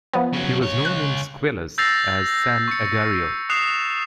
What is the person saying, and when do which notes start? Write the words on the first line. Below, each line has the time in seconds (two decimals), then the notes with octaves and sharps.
He was known in Squillace as "San Agario".
0.13 F3 B3
0.33 C#3 F#3
0.61 C#2 C#5
0.85 F#6
1.78 E6 G6 A6 A#6 C7 F7
2.68 C#6 C#7
3.49 D#6 F#6 C7 E7 F7